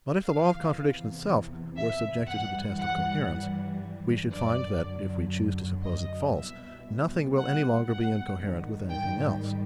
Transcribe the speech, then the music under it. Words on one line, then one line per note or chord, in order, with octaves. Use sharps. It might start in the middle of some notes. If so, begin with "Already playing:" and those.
But if the law of contradiction itself were subjected to the test of coherence, we should find that, if we choose to suppose it false, nothing will any longer be incoherent with anything else.
E2 C3 E3 F5
E5
G2 E3 G3 F#5
F#5
F#2 D3 F#3 D5
D#5
C2 B2 G3 E5
F#5
F#5
G#2 D#3 G3
G5